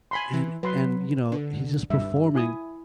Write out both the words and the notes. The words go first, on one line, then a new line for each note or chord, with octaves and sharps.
and and, you know, he's just performing,
G#5 B5 C6
E3
F#3 B4 C6
D3
G2 E5
E4 G#5 D#6